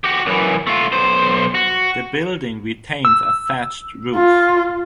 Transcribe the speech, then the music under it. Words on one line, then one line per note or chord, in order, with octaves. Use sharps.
The building retains a thatched roof.
F#4 G4
F#2 E3
A3 F4
B1 C5
F#4
E6
F4